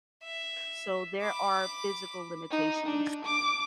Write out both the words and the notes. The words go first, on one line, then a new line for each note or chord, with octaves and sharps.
so, there are physical limitations
E5
B5 D6
D#4
D4
D6